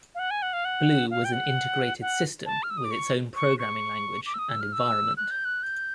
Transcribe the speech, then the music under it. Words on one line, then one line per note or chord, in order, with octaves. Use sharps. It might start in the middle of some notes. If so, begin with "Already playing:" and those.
Blue was an integrated system with its own programming language and environment.
F5
F#5
G#5
F#5
F5
F#5
F5
G5
F#5
F#5
A5
F6
E6
D#6
D6
C#6
C#6
C#6
D6
E6
D#6
E6
F6
E6
F#6
G6
F#6
G6